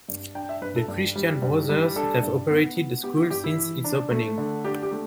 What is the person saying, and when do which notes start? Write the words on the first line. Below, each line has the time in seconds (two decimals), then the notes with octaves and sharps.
The Christian Brothers have operated the school since its opening.
0.09 G2
0.35 D4 G5
0.49 E5
0.62 G2 B4
0.76 A4
0.88 G2
1.16 G3
1.42 G2
1.69 G3
1.96 D4 A4
2.23 G2
2.50 B3
2.77 B3
3.03 B3 G4
3.17 E4
3.30 G2 G4
3.44 E4
3.57 E3
3.84 D4
4.11 A3
4.38 D3
4.64 D4 G4
4.83 G4
4.91 A3